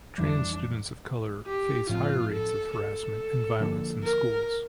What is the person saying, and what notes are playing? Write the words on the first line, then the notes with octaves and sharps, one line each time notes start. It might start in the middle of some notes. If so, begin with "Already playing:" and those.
Trans students of color face higher rates of harassment and violence in schools.
F2 E3 G3 D4
G4
A2 F3 C4 F4
A4
A4
D3 F3 A#3 D4
A#4